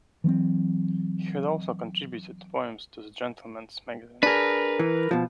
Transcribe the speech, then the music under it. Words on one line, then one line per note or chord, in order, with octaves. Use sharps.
He had also contributed poems to the "Gentleman's Magazine".
E3 F#3 A#3 C4
D4 G#4 A#4 B4
E3
B2 F3